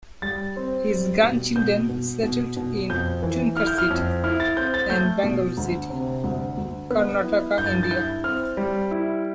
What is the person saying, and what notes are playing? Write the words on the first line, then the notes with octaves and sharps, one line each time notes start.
His grandchildren settled in Tumkur City and Bangalore City, Karnataka, India.
G3 A6
C4
G3
B2
B2 G6
B2
B2
B2
F2 G6
E3
E4 F6
G6
F6
F2
E4 F6
A6
C4 G6
A6
A3 G6
B2
D2
C3
D2
D2
B3
E4
G2 G6
A6
G6
A6
E4 G6
C4 F6
G3
E4